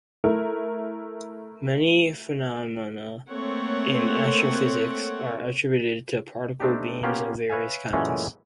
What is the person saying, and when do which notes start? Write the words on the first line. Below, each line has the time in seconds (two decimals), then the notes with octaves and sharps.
Many phenomena in astrophysics are attributed to particle beams of various kinds.
0.24 A3 E4 A#4
3.30 A3 A#3 C4 C#5 F#5
6.60 A3 C4 D4 D#4 G4
7.03 A#3 B3 C#4 F4 G4
7.50 B4 C#5 E5 F5 G#5
7.93 F#2 A#2 E3 G#3 A3 C#4